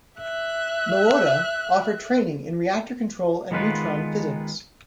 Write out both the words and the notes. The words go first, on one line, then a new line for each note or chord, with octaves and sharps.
Moata offered training in reactor control and neutron physics.
E5 F#6
D#3 G#3 B3 F4 B4